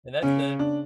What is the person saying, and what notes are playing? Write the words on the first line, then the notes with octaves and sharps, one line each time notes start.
and that's the
C#3 C#4
D4